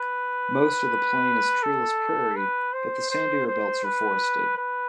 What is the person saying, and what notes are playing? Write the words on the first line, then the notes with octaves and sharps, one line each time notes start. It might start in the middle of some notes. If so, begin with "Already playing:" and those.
Most of the plain is treeless prairie, but the sandier belts are forested.
Already playing: B4
A4
B4
C5
C5
C5
B4
B4